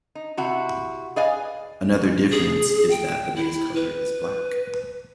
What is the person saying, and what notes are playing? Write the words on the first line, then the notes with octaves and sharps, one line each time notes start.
Another difference is that the base color is black.
D#4
C3 E4 F#4
G#4 B4 D5 D#5 F5 G#5
G#4
G5
E4
B4